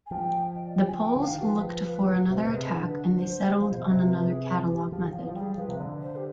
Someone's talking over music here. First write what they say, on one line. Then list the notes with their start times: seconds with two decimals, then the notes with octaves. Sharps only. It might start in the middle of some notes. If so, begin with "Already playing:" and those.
The Poles looked for another attack, and they settled on another catalog method.
0.06 G#5
0.11 F3 G5
0.55 D#5
0.66 D5
0.77 G5
0.87 G#5
0.98 G5
1.16 D3
1.21 F5
1.29 D#3
1.42 F3 B4
2.30 C3 C5
2.43 B2 B4
2.52 C3 G#4
2.68 B4
2.73 D3
3.17 C5
3.61 F3
3.72 B2
3.83 C3
3.94 C3
4.05 B4
4.26 G#4
4.48 F4
4.70 G4
4.92 F3 G#4
5.03 D#3
5.14 F3
5.29 F3
5.36 G3 G#4
5.57 F3 B4
5.68 C3
5.79 D3
6.02 C5
6.16 G4